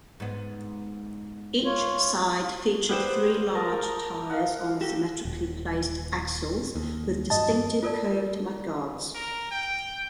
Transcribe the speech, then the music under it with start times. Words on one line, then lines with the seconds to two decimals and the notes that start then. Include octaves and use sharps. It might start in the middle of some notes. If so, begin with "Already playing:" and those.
Each side featured three large tires on symmetrically placed axles, with distinctive curved mudguards.
0.20 G#2 B3
1.65 F4 C#5
2.89 G3 G#4 B4 C5 F#5 G5
3.55 A#4 A5 A#5 D#6
4.30 F5 F#5
4.81 F#4 G4 A4
5.25 D#1
6.76 D#2
7.30 G2 D#5 A5
7.83 F4 A4 A#4 D5 A5
9.15 A#4
9.51 G5